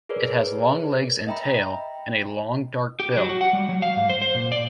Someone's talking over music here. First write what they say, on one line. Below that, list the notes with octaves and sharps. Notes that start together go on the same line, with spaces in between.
It has long legs and tail, and a long dark bill.
G#4 A#4 B4 C#5 D5
D#5 E5 G5 A#5 B5
G4
F#3
F#4
F#5
G3
F#3
F5
G#2
C5
C5
A#2
D5